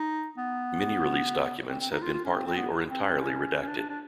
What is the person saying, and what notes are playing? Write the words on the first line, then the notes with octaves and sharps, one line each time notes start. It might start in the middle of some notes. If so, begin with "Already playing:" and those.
Many released documents have been partly, or entirely, redacted.
Already playing: D#4
B3
C4
C4
D#4
F4
F4
C#4
C4
C4
B3
C4
C#4
C4
C#4
C#4
D4
D4
D4